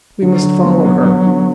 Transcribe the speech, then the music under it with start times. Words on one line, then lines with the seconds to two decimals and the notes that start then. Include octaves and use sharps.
"We must follow her."
0.22 D3 F#3
0.43 D3
0.63 B3
0.85 B3
1.05 D3
1.26 D3